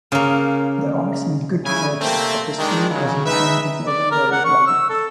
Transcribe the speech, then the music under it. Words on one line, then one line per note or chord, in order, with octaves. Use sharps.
There are some good gags, but the story doesn't hang together very well.
C#3 A#3
C#3 E4 G#5
C3 A3 A#3 C4
D#3 G#3 D4
C#3 F#3
G#3 D#4 B4 E5
D5
A#4
F#5
C#6
E6
A4